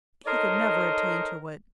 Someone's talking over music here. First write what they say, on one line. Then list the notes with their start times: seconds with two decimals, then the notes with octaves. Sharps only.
He could never attain to it.
0.26 D#4 A4 A#4 C5 C#5 D#5